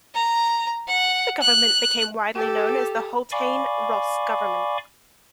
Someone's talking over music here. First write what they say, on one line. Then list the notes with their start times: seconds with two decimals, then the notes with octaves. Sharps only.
The government became widely known as the Haultain-Ross government.
0.14 A#5
0.88 F#5
1.41 F#6
2.35 G4 A4
3.32 D5 F5 G#5 B5 C#6 D6